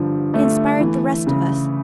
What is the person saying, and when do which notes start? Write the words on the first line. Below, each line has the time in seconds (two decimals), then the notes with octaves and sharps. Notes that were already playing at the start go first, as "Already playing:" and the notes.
It inspired the rest of us.
Already playing: G2 D3 F3
0.34 A3
0.80 E3
1.27 C#3